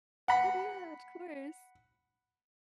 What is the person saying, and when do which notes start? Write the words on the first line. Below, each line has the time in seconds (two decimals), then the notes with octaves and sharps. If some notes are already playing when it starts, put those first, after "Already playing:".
Oh, yeah, of course.
0.28 F#5 B5